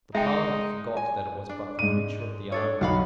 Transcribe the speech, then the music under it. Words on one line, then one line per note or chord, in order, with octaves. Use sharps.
The Parliament forgot that it was but the creature of the army.
G#3 D#4 E5 G5
G#5
D4
G#2 D#7
D4 A4 C#5
B1 F#4 F5 B5